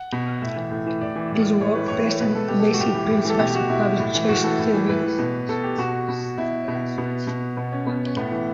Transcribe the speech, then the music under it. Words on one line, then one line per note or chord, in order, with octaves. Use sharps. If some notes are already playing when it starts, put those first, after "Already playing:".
This work presents the basic principles of public choice theory.
Already playing: F#5
B2
A2 E5
E3
A2
E3
A2 D5
E3
A2
E3
A2 C#5
E3 B4
A2 C#5
E3 C#5
B2 B4
A4
B2 G4
A4
F#4
A2 G4
E3
A2
E3 A4
B2 G4
F#4
B2 E4
A2
E3
A2 F#4
E3 A4
A2
E3
A2 B4
E3
B2
B2 A4
G4
B2 F#4
B2
B2 E4
B2
B2 B3
B2
B2 B3
C#4
B2 B3
C#4
A2 B3
E3